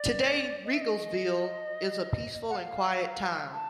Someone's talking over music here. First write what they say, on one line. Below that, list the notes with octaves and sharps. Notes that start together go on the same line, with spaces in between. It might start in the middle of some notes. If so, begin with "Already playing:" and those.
Today, Riegelsville is a peaceful and quiet town.
Already playing: D5
D#5
E5
D#5
F#5
F5
A5